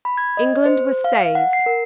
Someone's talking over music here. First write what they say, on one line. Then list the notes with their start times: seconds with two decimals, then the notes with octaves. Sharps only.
England was saved.
0.05 B5
0.17 G#6
0.37 D#5
0.66 C5
1.04 F5
1.35 F#5
1.53 C7
1.66 A#4